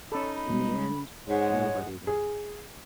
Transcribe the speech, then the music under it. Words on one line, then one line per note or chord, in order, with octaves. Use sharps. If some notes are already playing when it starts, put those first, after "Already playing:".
In the end, nobody won.
C#4 D#4 A4 B5
B5
G3 G#3
G#2 G#3 C#5 F#5
G#4